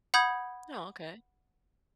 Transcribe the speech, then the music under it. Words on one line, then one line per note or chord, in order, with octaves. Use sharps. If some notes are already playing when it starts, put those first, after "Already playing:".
Oh, okay.
F#5 B5 D#6 G6 G#6